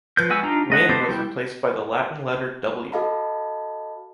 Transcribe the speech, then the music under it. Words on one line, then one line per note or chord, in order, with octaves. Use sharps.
Wynn was replaced by the Latin letter .
F3 B4 G6
G#3 B3 F#4 G#5 E6
D4 D#4 F4 G4 A#5
A3 D#5 F#5
B3 C4 G4 A4 C5
G3 E4 G5
F#4 A4 D#5 F5 A5 B5